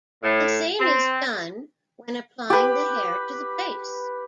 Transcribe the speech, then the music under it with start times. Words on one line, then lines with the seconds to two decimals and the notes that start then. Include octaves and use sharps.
The same is done when applying the hair to the base.
0.22 A2
0.79 C4
2.50 G4 B4